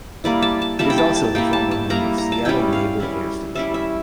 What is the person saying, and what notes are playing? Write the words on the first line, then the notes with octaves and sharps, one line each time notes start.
It is also the former home of Seattle Naval Air Station.
G3 A#3 E4 D5
A5
A5
G3 A#3 E4 A5
G5
A5
A5
G3 A#3 E4 G5
A5
A5
G3 A#3 E4 A#5
A#5
A5
G3 C#4 E4 G5
F5
G3 C#4 E4
G3 C#4 E4 E5
E5